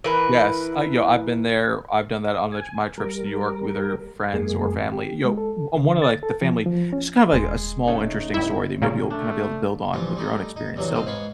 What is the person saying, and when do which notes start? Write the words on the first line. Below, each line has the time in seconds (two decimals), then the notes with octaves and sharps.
Yes, I, yo I've been there. I've done that on the my trips to New York with her friends or family. Yo, m I'm one of, like, the family it's kind of a a small interesting story that maybe you'll kinda be able to build on with your own experience. So,
0.04 E3 A#4 B4
2.52 G#5
2.98 G3 A#4
4.33 F#2 G#3 A#3 G#4
4.92 G4
5.25 G#3
5.37 A4
5.76 D3
6.02 A6
6.23 A4
6.41 F3
6.66 F3
6.93 C#4
7.33 D#1 G#3
7.88 C#3 A3 D#4
8.34 G2 E4
8.82 A#2 C#3 A#3
9.10 A3 D4
9.93 G2 E3 F3 F4
10.16 G3 A3 D#4
10.56 D#4
10.76 G2 C3 E3 F#3
10.94 C2 C4 D#5 F5
11.06 G#2 B3 C#5 F5 B5 C#6